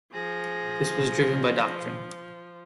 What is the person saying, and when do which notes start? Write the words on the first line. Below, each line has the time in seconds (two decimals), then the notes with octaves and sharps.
This was driven by doctrine.
0.13 F3 G#4 A#6